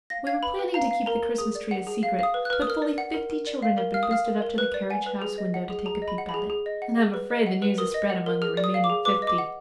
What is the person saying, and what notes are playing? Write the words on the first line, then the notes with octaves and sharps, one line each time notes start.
We were planning to keep the Christmas tree a secret, but fully fifty children have been boosted up to the carriage house window to take a peep at it, and I am afraid the news has spread among the remaining fifty.
F5 A#6
F5 G#6
B4 B5
B4
F5 A#5
F5
A#4 A#5
A#4
G#4 D#6
D5
F#5
G#4
F5
F5 D#6
B4
F#6
B4 F6
D#6
A#4 F6
D5
F#5
A#4
A#4
D5
F5
A#4
F5 F6
D#6
F5 F6
A#4
A#4
B4 F#6
D5
F#5 G#5
B4
G#4
D#5
F#5
G#4
G#4 A#5
D#5
B5
F#5
B5
G#4
G#4
D#5
F#5
G#4
B4
D#5
F#5
B4
A#4 D#6
D#5
F#5
A#4
G#4 F6
D5
D#6
F5
D6
G#4
B4 D6
D#5
D6
F#5